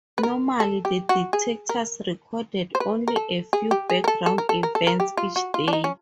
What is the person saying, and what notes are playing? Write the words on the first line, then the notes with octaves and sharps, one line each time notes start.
Normally, the detectors recorded only a few background events each day.
B4
A#4
A4
G4
F#4
G#4
A#4
C5
B4
A#4
A4
G#4
G4
G#4
A#4
A4
A4
A#4
A4
A#4
A4
A#4
G4
F4
F#4
F4
D4
D#4
C#4